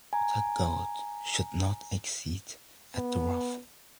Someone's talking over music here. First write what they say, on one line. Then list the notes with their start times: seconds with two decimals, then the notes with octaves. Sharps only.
The outer coat should not exceed at the ruff.
0.13 G#5 A#5
2.96 B3